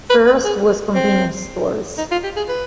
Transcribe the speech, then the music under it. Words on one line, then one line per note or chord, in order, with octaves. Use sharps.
First was convenience stores.
B4
B4
G#4
C4
D#4
F4
G4
G#4
B4